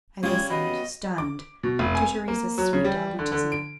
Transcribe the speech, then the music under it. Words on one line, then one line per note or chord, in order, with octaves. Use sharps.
I listened, stunned, to Theresa's sweet dogmatism.
C#3 G3 G#3 F4 G4 G#6
B3 F#4 D#5 B5
D6
B2
F1
G#5
A#3
F#3
C#3
G3
D3
D3
D7